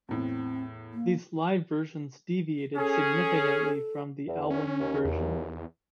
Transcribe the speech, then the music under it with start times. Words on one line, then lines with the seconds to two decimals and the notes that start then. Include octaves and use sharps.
These live versions deviated significantly from the album version.
0.09 E2 A2 C4
0.93 A#3
2.77 C#4 G#4 A4
4.28 E2
4.50 C#4
4.80 D#2
5.05 E2